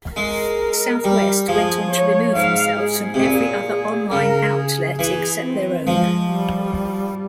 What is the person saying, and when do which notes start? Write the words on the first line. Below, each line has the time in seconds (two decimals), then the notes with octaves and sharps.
Southwest went on to remove themselves from every other online outlet except their own.
0.16 G#3 A#4
1.04 G3
1.48 F3 G#4
1.91 C#5
2.35 G#2 F5
2.80 G#4
3.14 C3
3.24 A#2
3.67 G#4
4.11 C#3 A#4
4.56 G#4
4.99 E3 G#4
5.43 C4
5.87 F3 G#3
6.30 G3